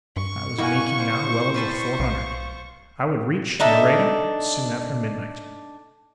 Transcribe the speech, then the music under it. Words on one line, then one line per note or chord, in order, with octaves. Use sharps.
I was making now well over four hundred; I would reach Nareda soon after midnight.
G2 C#6
B2 G3 A#3 E4 F#5 G#5
C5
G3 B4 A5 C#6
B1 F4
D4 D#4 A4 E5